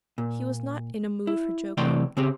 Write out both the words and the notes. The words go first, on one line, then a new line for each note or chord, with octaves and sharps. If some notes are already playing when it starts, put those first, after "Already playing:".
He was not in a mood for joking.
A#2
E4
C3 E3 A3 D5 G5 C6
C#3 C4 G4